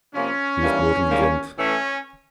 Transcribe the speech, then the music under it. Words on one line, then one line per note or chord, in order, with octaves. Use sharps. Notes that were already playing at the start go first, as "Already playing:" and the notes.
He was born in Ghent.
C3 F3 A#3 C#4
G2 E3 G3 A#3
G#2 D#3 G3 A#3
A2 E3 A3 C#4